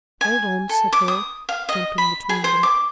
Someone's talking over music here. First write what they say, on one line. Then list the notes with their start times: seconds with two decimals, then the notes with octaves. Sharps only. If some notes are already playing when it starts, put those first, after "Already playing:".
"Hold on!" said Hale, jumping between them.
0.21 G#5
0.69 A4
0.93 D6
1.08 D#6
1.49 F5
1.69 D#5
1.98 B5
2.29 G#4
2.44 C5
2.63 D6